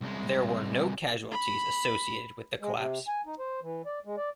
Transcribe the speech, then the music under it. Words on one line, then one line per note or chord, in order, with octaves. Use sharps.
There were no casualties associated with the collapse.
C2 G#3
B5
G#3
C3
G#5
D#4
C5
E3
D5
G#3
D5